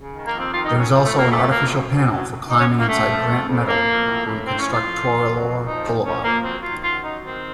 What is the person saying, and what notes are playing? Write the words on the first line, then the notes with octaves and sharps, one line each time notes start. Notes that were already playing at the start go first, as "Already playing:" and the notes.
There is also an artificial panel for climbing inside Grant Metal on Constructorilor boulevard.
Already playing: C#3
D#3
A#3
F2
C4
D#3 F4
D#4
F2
C#4
F3
A3
F2
A#3
F2 A3
F2 A#3
F#2
F#2
F#3
F#3
F#2 D#4
C#4
F#2
A#3
F#2 A3
F3
F2
F2
F2 A#3
F2
A2
A2
A2 C4
C#4
F3
F4
F2
F2
F#3
F2
F3 D#4
A2
F3 C#4
F3 A#3
F#3 C4
D#3 F4
F#2 F4
F#3 D#4
D#3 C4